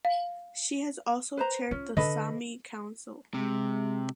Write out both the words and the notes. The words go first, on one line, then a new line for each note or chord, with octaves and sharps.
She has also chaired the Saami Council.
F5
B4 C5 A#5
C#4 F4
D3 A4 B4 D#5
C3 G#3